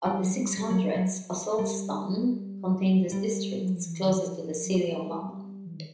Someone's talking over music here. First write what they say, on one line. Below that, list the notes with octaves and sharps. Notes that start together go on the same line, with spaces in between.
Of the six hundreds, Ossulstone contained the districts closest to the City of London.
G3
F#3
G#3
G3
G3
F#3
G3
F#3
G3
G3
F#3
F3
E3
D#3
F3
F#3
G#3
G3
E3
D#3